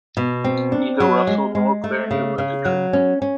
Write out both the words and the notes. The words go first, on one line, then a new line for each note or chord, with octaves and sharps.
Neither Russell nor Claire knew about the trade.
B2
C4
D4
F#3
G#3
G#3
A3
C#3
C#3
F#3
C#4
C#4